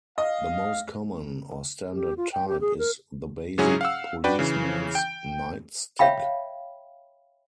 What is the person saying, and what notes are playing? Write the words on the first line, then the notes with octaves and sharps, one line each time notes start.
The most common, or standard type is the basic "policeman's nightstick".
D#5 F5
G4
F4
G5
G4
G#4
A#4
G#2 C#3 F#3 C#4 E4 G#4
F5 F#5 E6
D4 F#4 B4 D5 G5
C#3 E3
G5 G6
C#5 E5 F5 G5 B5